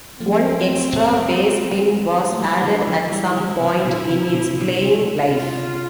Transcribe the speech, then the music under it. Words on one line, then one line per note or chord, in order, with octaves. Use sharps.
One extra bass pin was added at some point in its playing life.
F3 A3 C4
A3
E3 G3 D4
G3
D3 F3
E4
D3 F3
E3 G3 E4
E3
D3 F3
F3
C3 E3
B2 D3
D3
C3
B2 D3
C3
B2 D3
C3
C3 F4